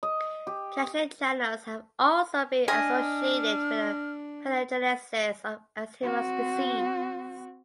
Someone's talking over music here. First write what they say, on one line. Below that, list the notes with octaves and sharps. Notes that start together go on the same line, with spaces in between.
Cation channels have also been associated with the pathogenesis of Alzheimer’s Disease.
D#5
G4
D4 D#5 G#5 F6
C4 F#4